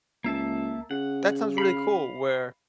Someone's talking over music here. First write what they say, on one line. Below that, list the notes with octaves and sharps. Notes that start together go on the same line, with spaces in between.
That sounds really cool, where
C#2 A#3 E5 A5
C#3 F#5
F5 B5